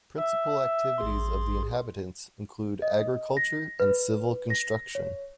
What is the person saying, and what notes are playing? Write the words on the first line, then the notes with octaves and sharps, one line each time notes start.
Principal activities of the inhabitants include agriculture and civil construction.
E5
A1 G#4 C6
D#5
A#6
B4
A#6
C#5